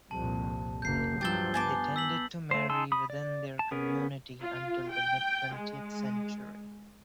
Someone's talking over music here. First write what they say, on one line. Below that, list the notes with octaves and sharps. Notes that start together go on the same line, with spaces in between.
They tended to marry within their community until the mid-twentieth century.
C2 F2 A#2 A5
F#1 A#3 G6 C7
G2 F3 F#3 G4 E6 G6 A6 G7
B3 G#5 A5 D6
E6 B6 F#7
A3 C5
D#4 G#5 A5 C6 E6
B5 D#6
D5
A5
B3 C#4 G#4 A#4
F4
G5
G#3